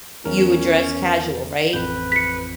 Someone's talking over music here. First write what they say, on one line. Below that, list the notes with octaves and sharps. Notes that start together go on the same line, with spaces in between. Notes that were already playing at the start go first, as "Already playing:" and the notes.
you would dress casual, right?
E2 C#4 A#4
A1 F2 B4 G6
B6 C#7